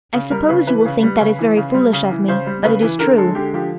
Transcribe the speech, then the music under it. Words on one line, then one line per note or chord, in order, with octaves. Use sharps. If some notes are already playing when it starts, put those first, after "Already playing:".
I suppose you will think that is very foolish of me, but it is true.
C#3
G3 A#4
C#3 B4
E3 B4
C#3
G3
C#3
E3
C#3
G3
C#3
E3
C#3 C5
G3
C#3 B4
E3
D3 A#4
G#3 A4
D3 G4
F3 G4